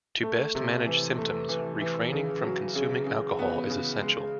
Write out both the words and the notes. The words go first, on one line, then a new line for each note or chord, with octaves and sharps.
To best manage symptoms, refraining from consuming alcohol is essential.
A3
C3
E3
A3
E3
E3
C#3
F#3
C#3
C#3
B3
C#3
G#3